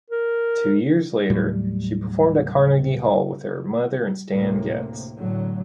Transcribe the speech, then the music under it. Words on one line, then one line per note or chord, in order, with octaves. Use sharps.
Two years later, she performed at Carnegie Hall with her mother and Stan Getz.
A#4
D#2 A2 F#3 G3
D2 A2 C3 A#3
A2 D3 F#3